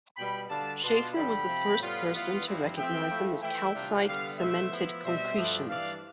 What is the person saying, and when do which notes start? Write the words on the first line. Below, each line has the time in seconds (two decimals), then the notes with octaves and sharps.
Shaffer was the first person to recognize them as calcite-cemented concretions.
0.17 B2 G3 B3 G5 B5
0.49 D3 G3 D4 F5 A5
0.82 B2 B3 D4 F4 A5 C6
1.14 G2 D3 F3 G5 B5
1.47 C3 F3 C4
1.79 A2 G3 B3 F4
2.12 E3 G3 B3 F4
2.44 G2 F3 C4 E4
2.76 F3 A3 C4 E5 G5
3.10 F3 A3 E4
3.41 E3 A3 E4 E5 G5
3.74 C3 G3 D4 F4
4.06 D3 G3 B3 D5 F5
4.38 B2 A3 E4 C5 E5
4.71 F3 B3 E4
5.04 B2 G3 C4 C5 E5
5.36 G2 F3 A3 D4
5.69 E3 G3 D4 D5 F5